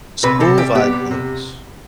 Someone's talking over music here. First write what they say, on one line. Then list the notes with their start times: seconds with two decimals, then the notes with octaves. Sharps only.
School-vibe looks?
0.23 C3 B4
0.40 C3 A4
0.58 G3 G4
0.75 B3 G4
0.93 C3
1.11 C3